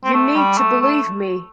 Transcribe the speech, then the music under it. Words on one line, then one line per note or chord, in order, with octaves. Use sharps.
You need to believe me.
C4
A3
G3
A3
A3